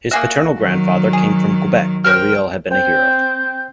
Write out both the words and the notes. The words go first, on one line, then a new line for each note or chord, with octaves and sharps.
His paternal grandfather came from Quebec, where Riel had been a hero.
A#3 F#4 G#4 E5
D#3 F#3
G#4
A#4 C5 G5 F6
C4 C5 G5 G6